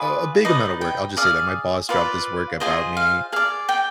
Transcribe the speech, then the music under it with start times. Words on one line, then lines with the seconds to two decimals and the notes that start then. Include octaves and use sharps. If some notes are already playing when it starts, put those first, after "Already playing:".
a big amount of work- I'll just say that my boss dropped this work about me
Already playing: F4 G#4 B4 D5
0.45 D#4 B4 D5 D#5
0.81 G5
1.17 G#4 D5 F5
1.89 F4 B4 D5
2.60 F4 G#4 C5 D#5 G#5
2.97 F5
3.32 G#4 D5 F5
3.69 G5